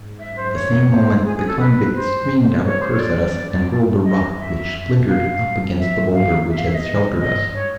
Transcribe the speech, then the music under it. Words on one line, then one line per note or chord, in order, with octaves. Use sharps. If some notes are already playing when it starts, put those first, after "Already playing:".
At the same moment the convict screamed out a curse at us and hurled a rock which splintered up against the boulder which had sheltered us.
Already playing: G#2
F#2 E5
C5
F2 C#5
C5
F#2 G#4
G#4
A4
F#2 B4
G2 C5
G#2
F#2 C#5
C5
C#5
G2 D5
G2
F#2 D#5
F2 E5
F#2
G2 F5
G#2 E5
F5
E5
F5
E5
D#5
G2 D#5
C#5